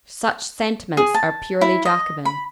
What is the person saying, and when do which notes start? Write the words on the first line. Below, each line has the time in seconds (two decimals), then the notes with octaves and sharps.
Such sentiments are purely Jacobin.
0.97 G#4
1.14 A5
1.61 E4
1.85 D#5
2.25 B5